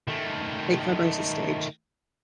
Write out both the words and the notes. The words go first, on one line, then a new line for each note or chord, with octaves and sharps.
Late fibrosis stage.
D#3 A3